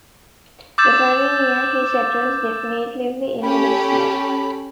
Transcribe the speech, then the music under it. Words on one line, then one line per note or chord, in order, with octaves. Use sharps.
The following year he settles definitively in Lisbon.
D6 E6 G6 A6 E7
C#4 G4 A4 B5